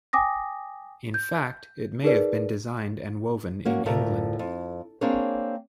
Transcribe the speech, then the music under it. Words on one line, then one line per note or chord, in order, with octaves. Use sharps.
In fact, it may have been designed and woven in England.
G5 G#5 D6 D#6 A#6
G6
D#4 G#4 A#4 B4 D5
A#3 C#4 F#4
D2 A2 A3 F4 A#4
F2
A#3 C4 D4 G#4 A#4 C#5